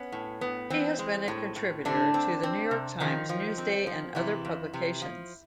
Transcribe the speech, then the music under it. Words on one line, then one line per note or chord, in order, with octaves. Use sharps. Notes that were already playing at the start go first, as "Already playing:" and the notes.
He has been a contributor to "The New York Times", "Newsday" and other publications.
Already playing: B3 C#4
A2
B3
E3 C4
G#3
A2
A2
D3 A3 D4
C4
C4
C3
D#3 F3 D#4
F3
C4
F3
C3 E3 E4
F2
C3
F3